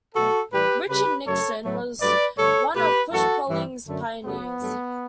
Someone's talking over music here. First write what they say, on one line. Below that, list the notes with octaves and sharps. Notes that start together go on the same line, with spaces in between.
Richard Nixon was one of push polling's pioneers.
B2 F#3 A3 F#4 A4
A2 E3 G3 G4 B4
C#3 G3 G4 B4
F#2 C#3 F#3 A3 A4 C#5
A2 F#3 A3
G2 F#3 A3 B4 D5
G2 D3 A3 A4 C#5
B2 A3 G4 B4
F#2 E3 A3 F#4 A4
G2 E3 G3
F#2 D3 A3
F#2 C#3 F#3 A3 B3
G2 F#3 A3